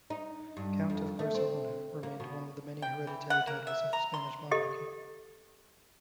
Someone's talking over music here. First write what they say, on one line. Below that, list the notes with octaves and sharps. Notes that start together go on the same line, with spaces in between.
"Count of Barcelona" remained one of the many hereditary titles of the Spanish monarchy.
D#4
G2
F2
A3
C4
A#3
B2
G5
E3
F#5
A#3
E5
A#5
C6
G4 A4 D#5